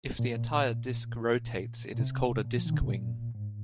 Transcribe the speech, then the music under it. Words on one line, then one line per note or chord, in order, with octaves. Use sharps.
If the entire disc rotates it is called a "disc wing".
A#2
A#2
C3
A#2
F3
D#3
D3
C3
A#2
G#2